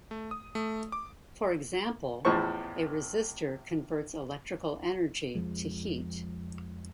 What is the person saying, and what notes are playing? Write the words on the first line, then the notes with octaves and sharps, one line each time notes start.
For example, a resistor converts electrical energy to heat.
A3
D#6
A3
D6
A1 E2 A2 F3 C5 C#6
F2 F3 G#3